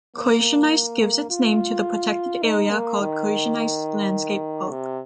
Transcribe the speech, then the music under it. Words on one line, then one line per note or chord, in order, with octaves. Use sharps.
Kozienice gives its name to the protected area called Kozienice Landscape Park.
A#3
F4
D#4
A#3
D#3
C3